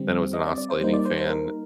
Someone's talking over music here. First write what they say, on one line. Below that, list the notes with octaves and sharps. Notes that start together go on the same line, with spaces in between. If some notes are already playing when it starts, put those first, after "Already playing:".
then it was an oscillating fan.
Already playing: D3 G3 C4
D#5
D5
D5
C5
G3 A#3 D#4 C5
D5
C5
C5
A#4